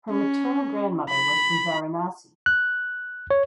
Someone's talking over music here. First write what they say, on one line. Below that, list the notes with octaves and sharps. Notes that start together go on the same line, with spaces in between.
Her maternal grandmother was from Varanasi.
C#4
B5
F#6
C#5